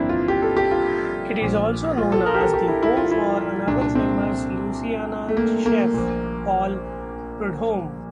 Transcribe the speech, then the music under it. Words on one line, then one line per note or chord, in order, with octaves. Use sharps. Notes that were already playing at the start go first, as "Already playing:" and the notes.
It is also known as the home for another famous Louisiana chef, Paul Prudhomme.
Already playing: G1 F2 E3 A#3 C4 D4 E4
F4
G4
A4
G4
F4
A#1 A#2
F4
A4
A#4
G4
A4
G4
E4
E4
F4
E4
C2 A#2 D4
D4
C4
A3
A#3
A#3
A#1 A#2